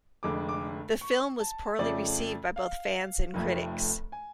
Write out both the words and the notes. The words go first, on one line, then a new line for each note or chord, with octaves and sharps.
The film was poorly received by both fans and critics.
F1 F2 D3 G#3 D6
D6
C#6
A5
F2 C#3 F3 A3 D5
F5
F1 F2 F3 A3
G#5